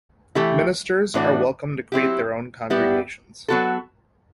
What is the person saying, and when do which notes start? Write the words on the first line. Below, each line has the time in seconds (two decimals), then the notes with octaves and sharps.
Ministers are welcome to create their own congregations.
0.35 E3 A3 E4 G4
1.14 A2 E3 A3 D4 F#4
1.92 F#3 C4 E4 G4
2.70 G3 B3 E4 G4
3.48 F#3 B3 F#4 A4